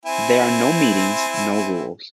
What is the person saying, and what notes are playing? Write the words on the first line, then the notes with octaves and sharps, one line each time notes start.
There are no meetings, no rules.
C4 E4 G#5